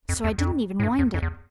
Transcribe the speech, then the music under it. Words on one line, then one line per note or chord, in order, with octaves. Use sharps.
So I didn't even wind it.
F2
E2
F2
A2
G2
E2
F2
E2